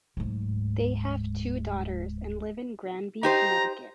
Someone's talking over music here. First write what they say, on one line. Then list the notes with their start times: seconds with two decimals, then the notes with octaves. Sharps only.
They have two daughters and live in Granby, Connecticut.
0.17 D1 G#2
3.23 D#4 G4 C5 A#5